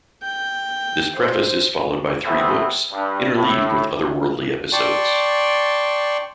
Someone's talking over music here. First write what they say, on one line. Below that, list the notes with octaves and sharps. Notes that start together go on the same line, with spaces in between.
This preface is followed by three books, interleaved with otherworldly episodes.
G5
C5
E2 C3 A3 B3 C4 E4
G2
A2
D5 G5 A5 C6 C#6